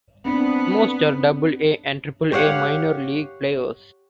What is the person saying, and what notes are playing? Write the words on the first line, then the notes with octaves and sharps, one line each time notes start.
Most are Double-A and Triple-A Minor League players.
B3 C4 D4
G4 C#5 F5 F#5